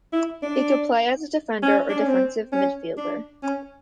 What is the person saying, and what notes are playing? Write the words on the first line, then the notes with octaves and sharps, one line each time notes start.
He could play as a defender or defensive midfielder.
E4
D4
C#4
D4
C#4
C4
C#4
D4
C#4